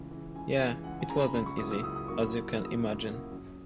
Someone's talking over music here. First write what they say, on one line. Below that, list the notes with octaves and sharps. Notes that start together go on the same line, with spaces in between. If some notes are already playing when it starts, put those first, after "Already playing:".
Yeah - it wasn't easy, as you can imagine.
Already playing: C#2 C#3 E3
C#3 E3
C#2 G#5
C#3 E3
C#2 F#5
G#5
C#3 E3 A#5
B5
C#2 B5
C#6
C#3 F#3 A#3 E4 D#6
E6
C#2 D#6
D#6
C#3 F#3 A#3 E4 C#6
B5
C#2
E6
C#3 F#3 A#3 E4
D#6
C#2
C#3 F#3 A#3 E4
F#2